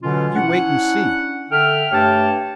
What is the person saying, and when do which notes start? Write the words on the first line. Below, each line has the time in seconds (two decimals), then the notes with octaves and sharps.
You wait an' see.
0.03 B2 D3 E3 F#3 C#4 F4
0.35 C#4 D4 E4 F#5
1.50 D3 A4 E5 G5 F6
1.92 G2 A3 G4 C#5 G5 A5